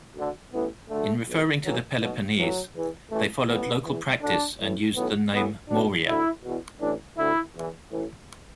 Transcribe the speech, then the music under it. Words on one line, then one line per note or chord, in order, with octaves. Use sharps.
In referring to the Peloponnese, they followed local practice and used the name "Morea".
D2 D3
A1 A2 E3 B3
D2 D3 A3
B1 B2
A1 A2 E3 F#3
B1 B2
A1 A2 E3 F#3
E2 E3
A1 A2 E3 A3
A1 A2 E3 B3
E2 E3
D2 D3 D4
A1 A2 E3
B1 A2 E3 B3
A1 A2 E3 B3
B1 B2 D4
D2 D3 E4
E2 B2
A1 A2 E3 D4
D2 D3 E4
E2 E3
A1 A2 E3